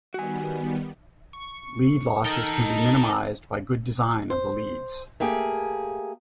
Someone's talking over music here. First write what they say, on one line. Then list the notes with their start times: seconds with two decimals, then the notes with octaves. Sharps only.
Lead losses can be minimized by good design of the leads.
0.14 D#3 G3 B3 F#4 G#5
1.33 C#6
2.24 D#4 A4 A#4 D#5 G5
4.30 C5
5.20 A3 A#3 G4 G#4